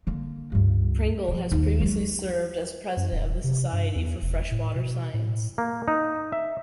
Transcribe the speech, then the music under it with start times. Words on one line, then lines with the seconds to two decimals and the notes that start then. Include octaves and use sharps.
Pringle has previously served as President of the Society for Freshwater Science.
0.07 D3 A#3
0.52 C#2 G2
1.28 B2 F3
1.52 D#2
1.80 F#3 G#3
2.97 F#2
3.12 D#1
3.44 C3
3.73 G2
3.96 E2
4.22 F1
4.51 A2
4.76 B2
5.14 A2
5.58 A#3
5.88 D#4
6.32 E5